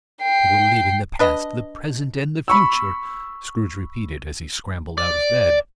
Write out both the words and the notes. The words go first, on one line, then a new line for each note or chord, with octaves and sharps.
"I will live in the Past, the Present, and the Future!" Scrooge repeated, as he scrambled out of bed.
G5 C7
D4 B4 D#5
B5 C#6 E6
D5